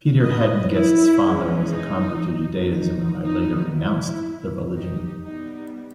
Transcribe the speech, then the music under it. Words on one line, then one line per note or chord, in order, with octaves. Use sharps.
Peter Haden-Guest's father was a convert to Judaism who had later "renounced" the religion.
B4 D#5
E4
E3 G#3 C#4
D#4
D#4
G3 B3 D#4
E4
D#4 G4
G3 B3 D#4